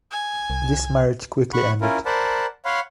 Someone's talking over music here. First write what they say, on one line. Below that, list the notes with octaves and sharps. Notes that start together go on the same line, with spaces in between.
This marriage quickly ended.
G#5
C2
F#5 B5 C#6
C#4 E4 F4 A#4
A#4 C5 D5 F#5 A5 B5
C#5 F5 F#5 B5 C6